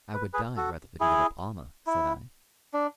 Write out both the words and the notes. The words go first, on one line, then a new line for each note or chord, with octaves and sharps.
"I would die rather than give up Almah," said I.
B4
G#4 B4
F#4 A4
E4 G#4
E4
D4